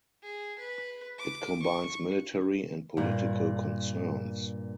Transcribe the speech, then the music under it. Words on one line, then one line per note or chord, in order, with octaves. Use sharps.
It combines military and political concerns.
G#4
B4
D6
C#6
G2 A#2